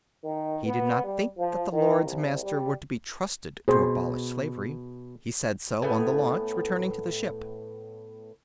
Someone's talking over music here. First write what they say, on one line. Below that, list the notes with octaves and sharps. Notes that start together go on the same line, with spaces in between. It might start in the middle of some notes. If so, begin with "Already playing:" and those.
He did not think that the Lords-Master were to be trusted to abolish slavery; he said so, on the launch, returning to the ship.
D#3
B3
G3
F3
D#3
C2
G3
B2 G#4 C5
A2 B3 G#5